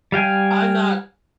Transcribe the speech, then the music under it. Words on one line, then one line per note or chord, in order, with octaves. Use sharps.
I'm not
G3 F5 G5 G#5